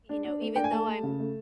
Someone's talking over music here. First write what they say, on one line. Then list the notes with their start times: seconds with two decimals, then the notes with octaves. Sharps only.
m you know, even though I'm
0.09 D4
0.25 D4
0.41 A3
0.56 D4 G5
0.64 G#5
0.72 A3 A5
0.88 A3
1.03 C#3
1.19 A3